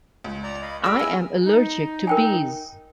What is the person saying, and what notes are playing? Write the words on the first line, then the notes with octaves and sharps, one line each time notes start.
I am allergic to bees.
C#2
D5 A#5
D#5 F5 B5
F4 G#4 D5 B5 E6 F6 A#6
E4 G#4 G#5
D#4
A#4 G5 G#5